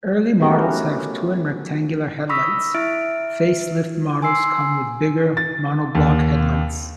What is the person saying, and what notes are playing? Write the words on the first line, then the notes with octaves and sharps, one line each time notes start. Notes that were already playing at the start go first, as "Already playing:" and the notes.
Early models have twin rectangular headlights, facelift models come with bigger monoblock headlights.
A3 B3 C#4 F#4 G4 A#4
B5 C#6 D#6 E6 A#6 B6
E4 E5 F6 A6 D7
G#5 C6 E6 C7
A6
D#2